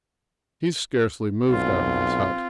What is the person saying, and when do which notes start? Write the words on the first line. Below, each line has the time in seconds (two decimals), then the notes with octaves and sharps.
He scarcely moved out of his hut.
1.50 B1 C4 F4